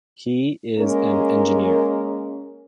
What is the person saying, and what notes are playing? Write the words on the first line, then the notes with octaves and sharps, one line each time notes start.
He is an Engineer.
G#3 A#3 C#4 A#4